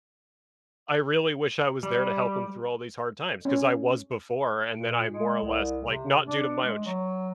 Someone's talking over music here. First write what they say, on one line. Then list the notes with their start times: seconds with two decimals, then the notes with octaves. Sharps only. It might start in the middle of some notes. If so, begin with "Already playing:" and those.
I really wish I was there to help him through all these hard times 'cause I was before, and then I more or less like, not due to my own,
1.83 G3
3.45 C#4
4.75 A#2
5.11 G#3
5.43 C2
5.84 C3
6.26 D4
6.63 G#3
6.86 F#3